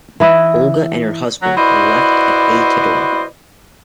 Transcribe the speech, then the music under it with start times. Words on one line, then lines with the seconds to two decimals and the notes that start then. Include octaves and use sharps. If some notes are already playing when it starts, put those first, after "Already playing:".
Olga and her husband were left at Ay-Todor.
0.20 E3 E4 D#5 E5
1.42 F#3
1.57 E4 F#4 B4 C5 D5 D#5